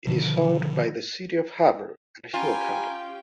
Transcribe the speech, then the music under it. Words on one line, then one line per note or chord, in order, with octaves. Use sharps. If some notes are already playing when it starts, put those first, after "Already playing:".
It is owned by the City of Havre and Hill County.
B2 D3 D#3 F3
C#4 F4 G4 G5 G#5 A#5 B5